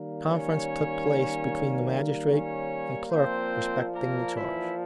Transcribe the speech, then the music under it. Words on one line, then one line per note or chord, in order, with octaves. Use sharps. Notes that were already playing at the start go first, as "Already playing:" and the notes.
Conference took place between the Magistrate and clerk respecting the charge.
Already playing: D#3 G3 A#3
C#4 C#5
C#4 C#5
A#2 F3 A#3 C4 C5
A#3 A#4
E3 E4